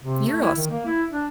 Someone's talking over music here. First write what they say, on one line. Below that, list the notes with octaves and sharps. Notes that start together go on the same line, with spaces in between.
You're awes
C3
A3
E4
D#3
A#3
E4
D4